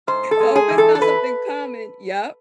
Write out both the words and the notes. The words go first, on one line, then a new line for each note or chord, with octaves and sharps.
So, if it's not something common Yep,
G#2 C5
A4
G#3
G#4
E3
A4
A4
B4